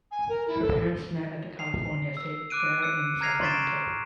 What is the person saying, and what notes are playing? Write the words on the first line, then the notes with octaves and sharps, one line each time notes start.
Her parents met at the California State Fair in Sacramento.
G#5
A#4
E4
A4
C7 F7
E6
D6 E6 F#6 D7 D#7
E6 C#7
A#5 F6 G#6 A#6 C7 F7
C6 C#6 A6 B6 D7 E7